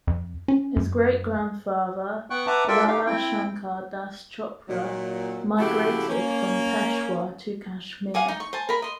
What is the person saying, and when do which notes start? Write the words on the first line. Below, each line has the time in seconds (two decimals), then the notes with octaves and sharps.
His great-grandfather, Lala Shankar Das Chopra, migrated from Peshawar to Kashmir.
0.07 F2
0.48 C#4
0.76 F#2
2.30 B3 F#5 G5 C#6 F#6
2.47 B4 E5 F#5 A5 A#5 D6
2.68 F4 A4 A#4 D5 E5 G5
2.88 D#4 G4 F5
3.06 C4 E4 G5
4.69 A#2 D#3 F#3
5.58 C#3 F3 A3 E4 F#4 G4
6.09 A#3 C#4
8.14 F5 F#5 G#5 D6
8.28 D#4
8.40 C#6
8.53 C5 G#5 A5
8.69 A#4 B5
8.82 D#5 C6